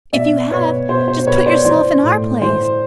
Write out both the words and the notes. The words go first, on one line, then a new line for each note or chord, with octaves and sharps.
If you have, just put yourself in our place.
B2 D5 E5
B2 B4 C#5
B2 C5
C5
C5
B2 B4 C#5
C5 D5
E3 C5 D5
A2
E3 C5